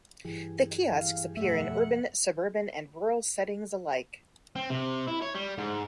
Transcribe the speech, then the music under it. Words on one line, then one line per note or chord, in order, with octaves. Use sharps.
The kiosks appear in urban, suburban and rural settings alike.
G2 E3 G4 G#4
E3 F5
F2 B2 A3 E5 F#5
C4
C3
E4
C#5
G3
G#2